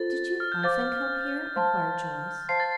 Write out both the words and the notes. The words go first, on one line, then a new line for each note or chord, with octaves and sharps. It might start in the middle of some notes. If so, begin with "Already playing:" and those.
"Did you often come here?" inquired Joyce.
Already playing: F4 A4 C5 A6
F6
G6
C5 F5 D6 A6
C5 F5 A5 C6
C5 F5 A5 C6 C7
A6